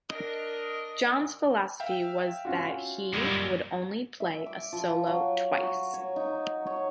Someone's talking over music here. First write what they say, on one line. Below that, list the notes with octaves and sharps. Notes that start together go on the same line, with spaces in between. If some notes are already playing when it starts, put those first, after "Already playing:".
John's philosophy was that he would only play a solo twice.
D4 A#4 D#5
E5 F5 G5
C#4 F4 F#4
F#2 A#2 G3 G#3
E5
D6
F3
F#3
F#4
C#5
D#4
C#5